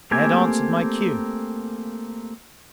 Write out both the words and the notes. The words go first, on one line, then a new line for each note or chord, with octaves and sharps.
I had answered my cue.
A3 A#3 C4 G4 G#5